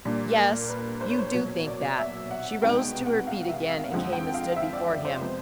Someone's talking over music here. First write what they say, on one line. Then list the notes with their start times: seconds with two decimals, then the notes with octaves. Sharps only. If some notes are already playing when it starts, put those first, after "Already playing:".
"Yes, you do think that!" She rose to her feet again and came and stood before him.
0.05 A#2 G3 A#3 D4
0.37 A#4
0.69 B4
1.01 C5
1.10 C#5
1.19 C5
1.34 B2 F#3 A#3 C#5
1.66 D5
1.98 E5
2.31 F#5
2.62 C2 B2 G#3 B3 D#4 G5
3.06 F#5
3.27 F5
3.49 E5
3.70 F5
3.92 F2 D3 F3 G#3 C4 F#5
4.13 G5
4.34 F5
4.56 E5
4.73 D5
5.05 C5
5.21 C3 F3 G#3 B3